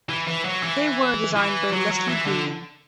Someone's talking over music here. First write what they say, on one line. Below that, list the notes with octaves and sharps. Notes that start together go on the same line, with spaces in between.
They were designed by Leslie Green.
E3
E3
F#3
E3
E3
F#3
F#3
E3
D3